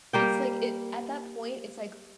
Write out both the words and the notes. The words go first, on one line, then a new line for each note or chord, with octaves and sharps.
it's like it At that point, it's like,
G3 A#3 G5